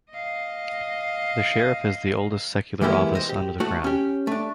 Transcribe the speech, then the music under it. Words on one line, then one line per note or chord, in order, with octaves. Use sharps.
The Sheriff is the oldest secular office under the Crown.
D#5 F5
E3 G#3 A#3 B3 E4 G4
C5 D#5
G4
A3 F#4 A4
C#4 G4
A3 D4